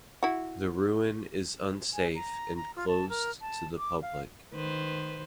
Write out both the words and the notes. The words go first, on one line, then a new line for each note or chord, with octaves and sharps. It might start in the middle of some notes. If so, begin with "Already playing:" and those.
The ruin is unsafe and closed to the public.
E4 F#4
G#5
A#5
A#5
F4
A5
A#4
A5
D6
F5
D#3 B4 C5